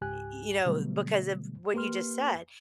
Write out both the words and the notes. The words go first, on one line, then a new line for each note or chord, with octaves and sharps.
Y you know, because of what you just said,
C#2 G#2 G4 G#5 F#6
B2 D3 F#3 G3 A3 B3
A#3 G4 B4 C6 F6